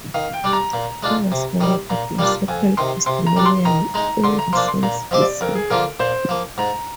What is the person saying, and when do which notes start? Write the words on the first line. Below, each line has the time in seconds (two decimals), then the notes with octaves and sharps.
He was awarded a second testimonial in the same season.
0.14 D#3 F5
0.33 G5
0.44 G3 D4
0.53 A#5
0.73 A#2
1.03 G#3 D4 F4
1.32 C3
1.61 D#3 G3
1.89 A#2 A#5
2.19 G3 A#3 D4 F4
2.48 F2 G#5
2.77 C3 D#3 C6
3.06 C3 C6
3.26 A#5
3.37 G3 D4
3.46 C6
3.65 D#3 A#5
3.94 G#3 D#4 A#5
4.23 D3 C6
4.39 A#5
4.53 F3 A#3 D4 C6
4.68 C6
4.83 A#2 A#5
5.11 F3 C4 G4 C5 D#5
5.21 D5
5.41 F2 A#4
5.55 G#4
5.70 D3 F3 A#3 F4 A#4
6.00 A#2 C5
6.29 F3 A#3
6.58 G#2 A#5